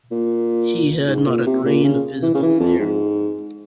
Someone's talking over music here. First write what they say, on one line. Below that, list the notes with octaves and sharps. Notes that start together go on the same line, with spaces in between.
He had not a grain of physical fear.
A#2
G#2
A#2
C3
A#2
C#3
E3
C#3
E3
F2
G#2